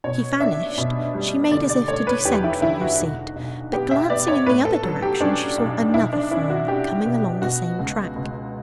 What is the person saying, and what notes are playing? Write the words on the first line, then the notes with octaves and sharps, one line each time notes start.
As he vanished, she made as if to descend from her seat; but glancing in the other direction she saw another form coming along the same track.
B2 C#5
D4 E5
B2
G3
D3 D5
D5
A3 C#5
B4
E2 G4
E4
D3 E4
F#4
B1
B1
B3 G4
E5
B3 D5
C#5
A2 B4
A4
F#3
G4
C#4 D4
B1
B1 E4
D4
C#4 E4
F#4
C#4 G4
B2
B2 F#4
C#2
C#2